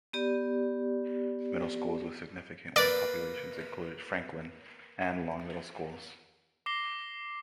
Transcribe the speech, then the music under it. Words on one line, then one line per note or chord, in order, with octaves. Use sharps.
Middle schools with significant White populations included Franklin, and Long middle schools.
B3 G4 D5
A#3 B4 D5
D6 A#6 C7 G7